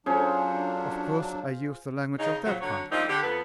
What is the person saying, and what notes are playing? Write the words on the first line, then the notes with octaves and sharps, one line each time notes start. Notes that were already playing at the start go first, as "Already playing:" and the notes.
"Of course, I use the language of that country."
F#3 C#4 D4 F4 G#4 A4 C5
C#3 D#4
A#2 C#3 F3 F#3
D3 F#3 F#4 C#5
F3 G3 A#3 C4 D4 D#4
D3 G4
F2 B3 A4